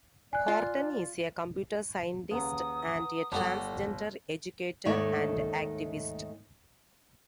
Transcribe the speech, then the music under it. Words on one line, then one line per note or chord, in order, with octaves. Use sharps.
Horton is a computer scientist and a transgender educator and activist.
D5 G#5 F#6
F4
D#2 C#3 B4 F#5 A#5 D#6
G1 G3 F#4 A4 D5
D#2 G#2 D#3 A3 C#5 D5